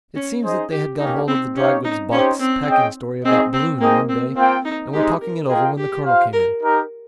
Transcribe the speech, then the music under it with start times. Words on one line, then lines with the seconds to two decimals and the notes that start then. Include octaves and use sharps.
It seems that they had got hold of the dry-goods box packing story about Balloon, one day, and were talking it over when the Colonel came in.
0.16 C#4
0.44 D#4 G#4 C5 D#5
0.72 G4
1.00 A#3 C#4 D#4 G4
1.28 C4
1.56 C#4 D#4 G4 C#5 F5
1.85 D#4
2.12 C#4 D#4 G4 C5 G5
2.40 C4
2.68 C#4 G#4 D#5 G5
3.25 C4 D#4 G#4 D#5
3.53 C4
3.80 A#3 C4 D#4 G#4 D#5 G5
4.09 C4
4.36 A#3 C4 F4 C5 G5
4.65 D#4
4.93 G#3 C4 D#4 G4
5.21 A#4
5.48 F4 G#4 A#4 D#5 G5
5.78 G4
6.05 F4 C5 F5
6.33 A#4
6.62 D#4 G4 A#4